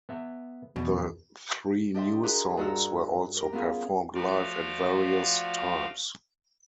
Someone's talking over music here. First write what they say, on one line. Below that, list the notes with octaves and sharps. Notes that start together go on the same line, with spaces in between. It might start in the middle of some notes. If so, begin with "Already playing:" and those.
The three new songs were also performed live at various times.
B3 E5
E2 B2
D4 G4 D#5 E5 G5 C6
F#4 G#4 A#4 B4 A#5 C6
G2 D#4 F#4 G#4 A#5 E6
G4 A#4
B3 C#4 E4 F4 G#4
F3 A3 F4 F#4 D5 F5